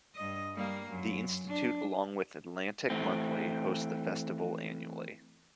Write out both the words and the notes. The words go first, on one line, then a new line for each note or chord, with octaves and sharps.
The Institute, along with "Atlantic Monthly", hosts the festival annually.
G2 D#5
G3 A#3
F#2
D4
E3 A3 C4